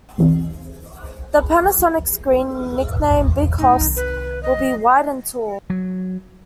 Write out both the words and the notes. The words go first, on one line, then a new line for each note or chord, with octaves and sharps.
The Panasonic screen, nicknamed "Big Hoss", will be wide and tall.
B1 E2 C3
A2 D#4
C2 D#3
B4
D#5
F2
F#3